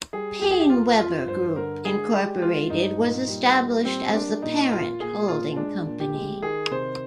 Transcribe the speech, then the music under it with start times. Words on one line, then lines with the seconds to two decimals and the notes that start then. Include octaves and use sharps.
PaineWebber Group Incorporated was established as the parent holding company.
0.13 G3 G#4
0.41 F2 G4
0.51 G#4
0.60 G4
0.70 F2 F4
0.98 F2 F4
1.27 G2 C5
1.56 D3 A#4
1.85 G#3 G#4
2.13 G#3 G4
2.42 G#3 F4
2.70 G2 D#4
2.99 A#2
3.28 G3
3.57 A#2
3.85 G3 C4
4.13 A#3 D4
4.42 A#2 D#4
4.71 A#2 F4
5.00 A#2 G#4
5.28 A#2 F4
5.56 G#3 D4
5.86 A#2
6.00 G4
6.14 G#3
6.42 D#3 G#4
6.71 C3 C5